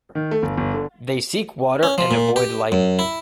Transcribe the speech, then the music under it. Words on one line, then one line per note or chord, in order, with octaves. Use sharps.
They seek water and avoid light.
D#3
A3
G1
G1
D3
C#4
F3
A#2
G4
F#2
E4